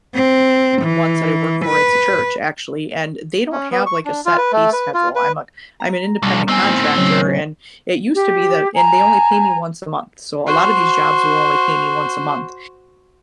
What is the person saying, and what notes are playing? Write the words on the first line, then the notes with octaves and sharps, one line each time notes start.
ones that I work for, it's a church, actually- and they don't have, like, a set pay schedule, I'm a c I'm an independent contractor and, it used to be that and they only pay me once a month. So, a lotta these jobs will only pay me once a month,
C4
E3
B4
C#4
B3
C#6
D4
F4
B4
A3
B4
F4
B4
A#5
B1 G3 D4
D#3 B3 C4 D#5 G#5
A2
C#3 F#3 C#4
G4
G#5 A#5
F#4 C5